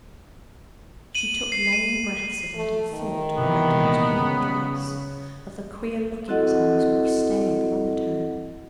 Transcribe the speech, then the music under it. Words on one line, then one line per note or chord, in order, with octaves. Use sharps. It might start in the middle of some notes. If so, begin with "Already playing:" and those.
She took long breaths of it, and thought of Reddin's green dress, of the queer look in his eyes when he stared long at her.
D#7 F#7
C7
D#7
A3
D#3
C3 E3 B3
A#2
C#3
C4 E4 F#4 A4 D#5 F#5